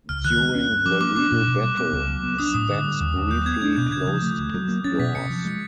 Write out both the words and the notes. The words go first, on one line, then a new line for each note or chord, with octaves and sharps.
During the legal battle, Stax briefly closed its doors.
C#2 F6
D#3 F#6
G#3
C#4
G2
F3 D6
A#3 D6
D4 D6
A#2
B2
G3
B3 D6
C#2
F#3
B3
D4 D#6
A2 D#6
D3
G3
D#2
D#2
F#3 G6
B3 G#6
D4 G#6
B2 G6
C#3 G#6
F3 G#6
A3
D2
F#3
A#3
C#4 A6
B2 B6
C3 C#7
F3
G#3